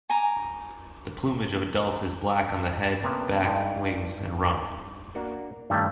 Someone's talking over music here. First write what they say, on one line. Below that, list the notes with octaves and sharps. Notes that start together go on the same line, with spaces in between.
The plumage of adults is black on the head, back, wings and rump.
G#5 A#5 D6
C3 A#3 B3 C#4 A4
G2 G#3 D#4
A#3 D4 F#4 A#4
G2 D#3 G3 A3 C#4